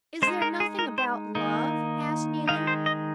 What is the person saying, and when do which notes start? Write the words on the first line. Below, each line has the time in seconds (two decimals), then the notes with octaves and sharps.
"Is there nothing about Love?" asked Neelie.
0.22 G#3 C5
0.27 D#4
0.42 A#4
0.60 G#4
0.79 A#4
0.98 C5
1.35 D#3 A#3 D#4
2.48 D#3 G#3 D#4 F5
2.67 C5
2.86 D#5